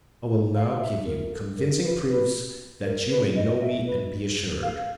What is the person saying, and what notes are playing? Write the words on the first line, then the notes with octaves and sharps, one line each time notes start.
I will now give you convincing proofs that you may know me and be assured.
F5
E5
A#4
A4
A#4
B4
B4
A#4
B4
D#5
D#5
E5
B4
F5